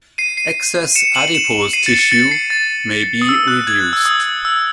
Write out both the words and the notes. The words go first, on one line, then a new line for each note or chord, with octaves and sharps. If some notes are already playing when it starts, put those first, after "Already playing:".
Excess adipose tissue may be reduced.
C7 D#7
C7 D#7
C#7 E7
D#7 F#7
C#7 E7
C7 D#7
A6 C#7
A6 C#7
A6 C#7
C7
A6
D#6
E6
F#6
G#6
F#6
E6
D#6
E6